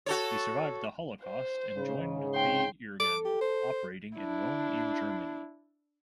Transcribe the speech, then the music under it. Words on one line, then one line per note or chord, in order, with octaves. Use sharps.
He survived the Holocaust and joined the Irgun, operating in Rome and Germany.
F#4 A4 C#5
C5
G#2 C#3
G5 C6
A4 D6
G4
C5
D4 E4